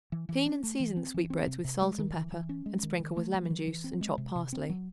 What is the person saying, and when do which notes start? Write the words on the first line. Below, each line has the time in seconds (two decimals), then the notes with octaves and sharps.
Clean and season the sweetbreads with salt and pepper and sprinkle with lemon-juice and chopped parsley.
0.12 E3
0.29 E3
0.46 C#4
0.63 A3
0.80 E3
0.97 C4
1.14 E3
1.30 C4
1.47 C3
1.65 C3
1.82 G#3
1.98 D#3
2.15 E3
2.32 E3
2.49 C#4
2.66 G#3
2.83 D#3
3.00 D#3
3.17 A3
3.34 F#3
3.50 E3
3.68 E3
3.84 C4
4.01 G#3
4.18 C3
4.36 C3
4.53 C4
4.70 F#3